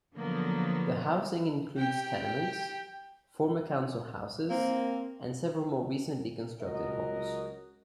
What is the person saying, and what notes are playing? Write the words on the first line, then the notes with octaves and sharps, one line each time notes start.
The housing includes tenements, former council houses and several more recently constructed homes.
D3 F3 F#3 A#3 B3
G4 G5
A#3 C4
C#2 F#3 F#4 A#4 D#5